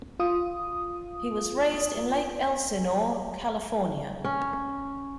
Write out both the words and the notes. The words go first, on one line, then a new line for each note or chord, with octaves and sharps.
He was raised in Lake Elsinore, California.
F4 D#6
C#4